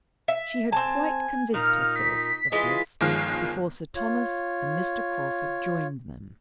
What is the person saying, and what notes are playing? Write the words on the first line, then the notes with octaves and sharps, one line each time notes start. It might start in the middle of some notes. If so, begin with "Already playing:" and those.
She had quite convinced herself of this before Sir Thomas and Mr. Crawford joined them.
E5
C4 G#5 A5
A#2 D#4 F6
B6
E3 G#3 F4 D#5
G1 D#3 F3 G#3 F5
F4 C#5